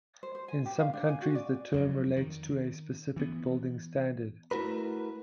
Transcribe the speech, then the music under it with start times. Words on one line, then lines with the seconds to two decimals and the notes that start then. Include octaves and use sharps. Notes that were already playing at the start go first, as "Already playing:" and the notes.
In some countries the term relates to a specific building standard.
0.23 C5
0.35 C5
0.48 G#5
0.66 G4
0.80 F5
0.93 D4
1.09 G#5
1.22 F#4
1.35 D5
1.74 F2 F#3
2.16 D#3
3.16 E3 B3
4.51 A3 E4 F#4 A#4 B4